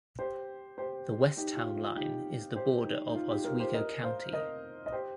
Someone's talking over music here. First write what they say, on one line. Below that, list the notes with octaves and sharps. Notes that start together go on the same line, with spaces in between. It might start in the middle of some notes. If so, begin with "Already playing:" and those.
The west town line is the border of Oswego County.
G4 C5
G4 C5
D#4 G4
F4
F4
D#4 G4
G4 C5
D#4
D#4
F4
D#4 G4
F4 A#4
G4 C5
A#4 D#5
C5 F5
A#4 D#5
D#5
G4 C5